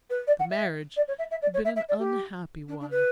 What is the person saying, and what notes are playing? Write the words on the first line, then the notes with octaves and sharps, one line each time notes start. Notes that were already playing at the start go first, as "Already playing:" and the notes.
The marriage had been an unhappy one.
B4
D5
F#5
E5
D5
C#5
E5
E5
D5
C#5
E5
E5
D5
G4
D4
D4
B4